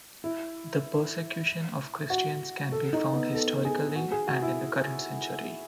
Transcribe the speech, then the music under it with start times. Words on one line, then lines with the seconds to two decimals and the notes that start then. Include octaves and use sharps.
The Persecution of Christians can be found historically and in the current century.
0.24 E4
2.10 F#4
2.72 A4
2.93 D#4
3.13 B3
3.34 A4
3.65 G#4
3.96 F#4
4.12 G#4
4.27 F#4
4.42 E4